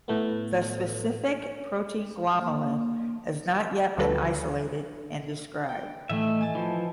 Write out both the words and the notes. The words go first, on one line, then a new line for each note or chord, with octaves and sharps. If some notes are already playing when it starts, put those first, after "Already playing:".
The specific protein glomalin has not yet been isolated and described.
A2 A3 B3
A#3
D2 F3 G3 F#4 A4 B4
G5
A2 E3 A3 D#5 E5
G#5 A5
E3 F3